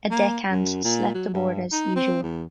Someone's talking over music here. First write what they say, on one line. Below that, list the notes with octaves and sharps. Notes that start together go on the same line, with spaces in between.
A deck hand slept aboard as usual.
A#3
F#2
A#2
F#3
G2
D#4
C4
E2